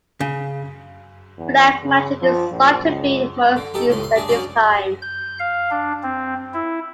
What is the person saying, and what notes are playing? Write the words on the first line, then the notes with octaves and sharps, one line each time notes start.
Black magic is thought to be most used at this time.
C#3
E2
C#3
F3
A#1
C#2
D3
D#4 G4 A4
C#2 A2 C6
C6
D4 G#4
F#3 C#4 G#4 D5
G6
F5
D4
C4
E4